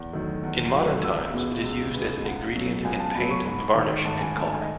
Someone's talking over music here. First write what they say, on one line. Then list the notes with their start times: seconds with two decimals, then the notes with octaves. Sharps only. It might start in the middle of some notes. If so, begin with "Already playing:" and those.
In modern times, it is used as an ingredient in paint, varnish, and caulk.
Already playing: E2
0.13 D#3 F#3 A3
0.43 E2
0.73 D#3 F#3 A3
1.03 C#2 E6
1.34 B2 G#3 B3
1.64 C#2
1.94 B2 G#3 B3
2.24 C#2 F#5
2.55 B2 F#3 A3
2.84 C#2 G#5
3.00 A5
3.14 B2 F#3 A3 B5
3.30 C#6
3.45 G#2 B5
3.75 D#3 A3
4.05 G#2 A5
4.20 G#5
4.35 D#3 A3 A5
4.51 G#5
4.61 D#5